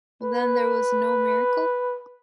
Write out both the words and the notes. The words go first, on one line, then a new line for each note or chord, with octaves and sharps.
Then there was no miracle?
B4